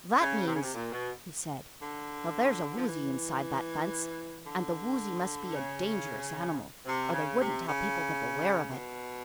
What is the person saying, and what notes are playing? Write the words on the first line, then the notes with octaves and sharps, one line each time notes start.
"That means," he said, "that there's a Woozy inside that fence, and the Woozy must be a dangerous animal or they wouldn't tell people to beware of it."
C#3
C3
C#3
C3
A#2
B2
D3
F3
E3
D3
C#3
C3
C#3
C3
C#3
B2